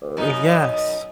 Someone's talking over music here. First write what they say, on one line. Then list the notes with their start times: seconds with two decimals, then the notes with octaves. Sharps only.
Oh, yes,
0.17 F#2 B2 D#4